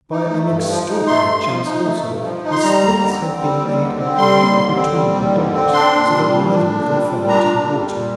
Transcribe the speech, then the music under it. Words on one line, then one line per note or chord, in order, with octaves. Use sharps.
By an extraordinary chance also, the splits had been made around and between the dogs, so that neither of them fell into the water.
D#4
A3
G2
F3
D#4
A3 C6
G2
F3
D#4
A3
G2
F3
D#4
C6
G3 A#5
D#2
D3
C4
G3
D#2
D3
C4
G3 C6
D#2
D3
C4
G3
D#2
D3
C4
D4 C6
A#2
G3
A#2
D4
A#2
G3
A#2
D4 A#5
A#2
G3
A#2